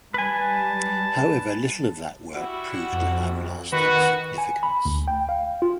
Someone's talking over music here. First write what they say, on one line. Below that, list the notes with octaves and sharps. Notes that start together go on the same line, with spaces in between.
However, little of that work proved to have lasting significance.
G3 B4 G#5 A5
G3 E4 F#4
F2
D#3 F#4 B4
G#5
B5
D2
G5
F5
F4